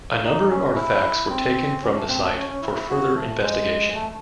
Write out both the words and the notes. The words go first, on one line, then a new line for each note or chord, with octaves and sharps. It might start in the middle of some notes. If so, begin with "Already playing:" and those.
A number of artifacts were taken from the site for further investigation.
D#4
C#4
E4
C4
C#4
A3
C4
A3
C#4
C#4
E4
E4
F#4
A3
G#3
A3